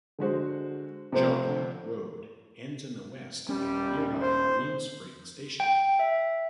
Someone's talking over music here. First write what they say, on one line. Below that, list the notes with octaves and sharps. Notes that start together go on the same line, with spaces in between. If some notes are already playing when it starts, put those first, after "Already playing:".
Joppa Road ends in the west at nearby Greenspring Station.
D3 G#3 F#4 C5
C3 F3 A3 C5
D#1 G3 C#4
C5
G5
E5